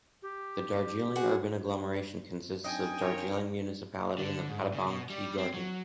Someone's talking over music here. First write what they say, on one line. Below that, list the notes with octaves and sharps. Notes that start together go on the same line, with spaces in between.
The Darjeeling urban agglomeration consists of Darjeeling Municipality and the Pattabong Tea Garden.
G4
F#4 G#4 F#5
F#3 C4 D4 D#4 G5 G#5
F4 A#4 C#5
D3
G#2
C#3
B2
G3
C4
F#3